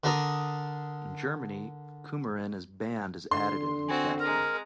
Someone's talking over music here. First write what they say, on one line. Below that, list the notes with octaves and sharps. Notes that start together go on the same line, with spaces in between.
In Germany, coumarin is banned as additive in tobacco.
D3 D4 A#4 D#6
D3 C6
C4 F#4 G#5
G#3 A#4 A#5